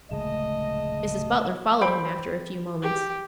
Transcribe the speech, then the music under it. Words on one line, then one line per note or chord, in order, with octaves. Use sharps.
Mrs. Butler followed him after a few moments.
D1 A#1 C#3 G#3 A3 D#5 A5
C5 G5 B5
G4